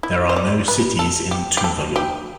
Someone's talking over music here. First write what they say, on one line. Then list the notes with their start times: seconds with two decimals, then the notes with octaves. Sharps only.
There are no cities in Tuvalu.
0.03 E4
0.29 C5
0.36 D5
0.68 B4
0.99 A4
1.31 G4
1.57 G4
1.64 A4
1.96 G4